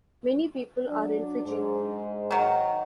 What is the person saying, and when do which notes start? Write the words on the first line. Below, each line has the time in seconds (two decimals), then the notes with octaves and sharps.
Many people are in Fiji.
0.87 F#3 D4
1.44 G#2
2.31 D#3 F#3